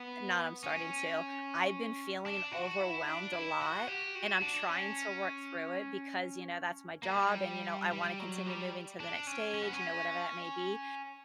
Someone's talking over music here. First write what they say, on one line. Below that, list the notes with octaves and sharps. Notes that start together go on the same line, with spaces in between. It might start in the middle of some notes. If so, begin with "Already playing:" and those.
not I'm starting to I've been feeling overwhelmed a lot, and I'm trying to work through it because, you know, that's my job, and, you know, I wanna continue moving to the next stage, you know, whatever that may be."
Already playing: B3
C#4
D4
F#4
E4
D4
E4
F#4
G4
F#4
D4
C#4
A#3
G3
G3
F#3
G3
D4
C#4
C#4
B3
C#4